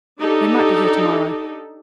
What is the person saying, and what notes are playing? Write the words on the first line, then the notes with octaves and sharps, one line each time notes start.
They might be here to-morrow.'
D4 D#4 G4 A4